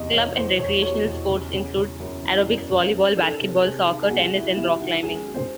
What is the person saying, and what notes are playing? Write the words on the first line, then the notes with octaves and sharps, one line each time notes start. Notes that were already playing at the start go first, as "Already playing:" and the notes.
Club and recreational sports include aerobics, volleyball, basketball, soccer, tennis and rock climbing.
Already playing: E2 C3 D#5
E2 C#5
E2 C5
E2 C#5
F#3 C#5
E2
C#3
C#3
C#3
F#2
E3
F#2
F#2
F#2
D#3 A4
C3
C3 G#4
D#3
G#4
C2 F#4
F#3 E4
C2 E4
D#3 F#4
C#2 G#4
F#3
C5